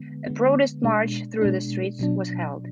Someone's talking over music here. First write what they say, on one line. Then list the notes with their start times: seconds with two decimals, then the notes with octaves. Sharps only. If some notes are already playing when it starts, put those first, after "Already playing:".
A protest march through the streets was held.
Already playing: D3 G#3 B3
0.26 D3 G#3 B3
0.84 B2 G#3 D4
1.41 B2 G#3 D4
1.99 B2 F#3 D4